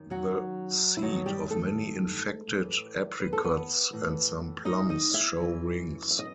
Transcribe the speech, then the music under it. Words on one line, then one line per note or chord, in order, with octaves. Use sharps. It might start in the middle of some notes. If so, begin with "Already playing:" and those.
The seed of many infected apricots and some plums show rings.
Already playing: F#2 D#3
F#3 F#4
E4
G2 D#3 F#3 F#4
G3 G4
A3 A4
A2 E3
B4
A4
B3 B4
A2 E3
D#4 D#5
D#4 D#5
E4 E5
F#2 E3
E5
D#5